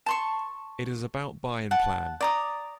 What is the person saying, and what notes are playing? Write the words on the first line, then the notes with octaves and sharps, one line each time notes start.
It is about by in plan.
A5 C6 C#6
F#5 A5
D5 A#5 D#6